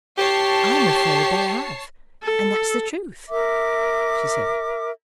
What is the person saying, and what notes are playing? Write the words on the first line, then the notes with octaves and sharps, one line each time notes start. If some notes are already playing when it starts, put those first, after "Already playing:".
'I am afraid they have, and that's the truth,' she said.
G4 C#5 A5 C7
A4
A#4 E5 D6